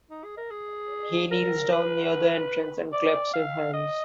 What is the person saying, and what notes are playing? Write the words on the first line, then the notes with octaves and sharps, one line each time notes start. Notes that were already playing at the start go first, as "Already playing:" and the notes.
He kneels down near the entrance and claps his hands.
D#4
G#4
A#4
G#4
A#4
B4
D5
F5
D#5